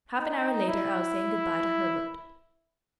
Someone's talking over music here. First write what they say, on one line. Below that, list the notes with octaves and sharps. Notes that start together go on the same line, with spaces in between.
Half an hour later I was saying good-bye to Herbert.
D#4
E4